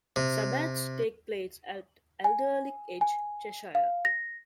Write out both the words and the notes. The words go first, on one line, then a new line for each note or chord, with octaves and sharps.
Sabbats take place at Alderley Edge, Cheshire.
C3
G#5
G#5
F5
A#6